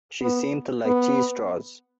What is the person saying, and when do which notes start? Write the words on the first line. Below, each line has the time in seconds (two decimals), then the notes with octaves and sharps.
She seemed to like cheese straws.
0.21 B3
0.85 B3